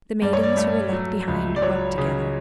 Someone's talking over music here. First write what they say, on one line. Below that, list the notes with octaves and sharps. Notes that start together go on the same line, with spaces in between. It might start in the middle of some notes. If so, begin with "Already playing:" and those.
The maidens who were left behind wept together.
G2 D5
C#5
D5
A3
F#3
C#2
D5
F#3 C#5
C#3